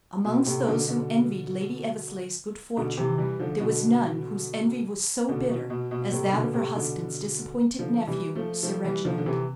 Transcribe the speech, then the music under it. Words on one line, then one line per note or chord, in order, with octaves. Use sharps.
Amongst those who envied Lady Eversleigh's good fortune, there was none whose envy was so bitter as that of her husband's disappointed nephew, Sir Reginald.
B2
A2 C3
B2 D3
B2 D3
B2 D3
C3 E3
E3 G3
D3 F3
B2 D3
B2 D3
B2
B2
B2
A2 C3
B2 D3
A2 C3
B2 D3
D3 F3
E3 G3
F3 A3
F3 A3
E3 G3
D3 F3
D3
C3 E3